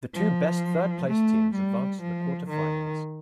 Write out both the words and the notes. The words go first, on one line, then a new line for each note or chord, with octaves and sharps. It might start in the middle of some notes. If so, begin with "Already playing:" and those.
The two best third-placed teams advanced to the quarter-finals.
F3
A3
G3
F3
D#3